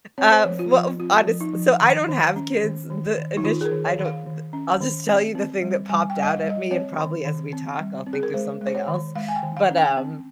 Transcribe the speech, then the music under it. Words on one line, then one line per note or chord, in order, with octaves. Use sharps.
uh, f well, uh, honest s so I don't have kids. The init I don't the I'll just tell you the thing that popped out at me, and probably as we talk, I'll think of something else, but, um
C4 C#5
C5
F3 C#5
F4
F3
C4 F4
F3
D#4
F3
D#3
D#3
C#4
D#3
D#3
D#3
D#4
D#3 F4
G#4
A#4
D#3
C#5
D#3
F5
D#3
C#4
D#3
C4
C4
G3
G3 G#5
G5
G3
D#5
F5
G3
D#5
C4 C#5
D#3
D#3
C4
G3
C4
G#4
A#4
G#3 C5
G#3
C5
C#5
D#3
G#3 F5
G#5
G5
D#3
F5
C#4
G5
C4